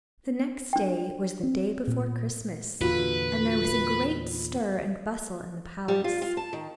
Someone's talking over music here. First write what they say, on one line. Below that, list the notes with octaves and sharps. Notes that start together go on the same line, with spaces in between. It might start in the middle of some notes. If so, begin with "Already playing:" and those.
The next day was the day before Christmas and there was a great stir and bustle in the palace.
D4 G5
C4
A#2
E2 A#2 D3 F4 F#4 B4
G3
F4
F4
A5
D#3